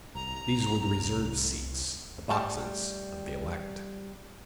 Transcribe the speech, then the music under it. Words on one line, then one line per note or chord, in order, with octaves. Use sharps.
These were the reserved seats, the boxes of the elect.
C2 A#5
G3 A3 A5